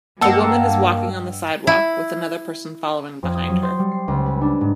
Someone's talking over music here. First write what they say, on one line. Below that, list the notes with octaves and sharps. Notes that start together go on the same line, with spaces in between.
A woman is walking on the sidewalk with another person following behind her.
G2 A#3 D#5 F#5 G5 A5 E6 C#7
E4
F2
D#6
F#3
C5
G3
C7
C#2
B4
D4
G#2